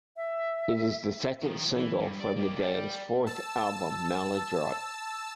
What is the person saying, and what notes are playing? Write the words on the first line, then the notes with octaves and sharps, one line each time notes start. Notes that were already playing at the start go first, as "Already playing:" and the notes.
It is the second single from the band's fourth album, "Maladroit".
E5
D#3 F3
E3
G2
D5
A#3 G4
D5 G5
A5 E6